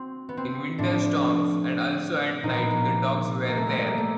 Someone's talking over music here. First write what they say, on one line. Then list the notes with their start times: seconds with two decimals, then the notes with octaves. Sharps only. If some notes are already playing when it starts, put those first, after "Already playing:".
In winter storms, and also at night, the dogs were there.
Already playing: C4 F#4
0.29 B3
0.37 C4
0.78 A2 F3 D4
2.43 A#2 F3 D#4
2.57 B3
2.71 A#3
3.48 A#3
3.58 A3
3.67 G#3
3.78 A#3
3.87 G3
3.98 A3